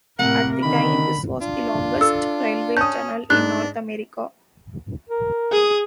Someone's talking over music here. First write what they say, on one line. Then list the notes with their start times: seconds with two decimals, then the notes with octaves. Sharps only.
At the time, this was the longest railway tunnel in North America.
0.19 A2 C3 A#3 A#4 F#5
0.63 D3 D#3 B5
1.41 D4 F4
2.01 A4 E6
2.77 C#4 A5 D#6 G6
3.30 G#2 D4 F#6
5.09 A#4
5.51 G#4 D#6